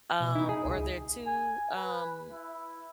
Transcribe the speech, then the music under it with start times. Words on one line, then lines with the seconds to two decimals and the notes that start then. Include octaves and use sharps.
um, or they're too, um,
0.20 B2
0.35 D#4 E4
0.49 G#4
0.65 C#2
1.26 G#5
1.76 B4
2.31 E4